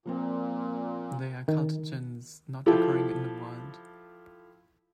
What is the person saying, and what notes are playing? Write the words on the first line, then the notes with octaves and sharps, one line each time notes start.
They are cultigens, not occurring in the wild.
A#2 F3 A#3 C4
D#3
F3 E4 F4 G4 A4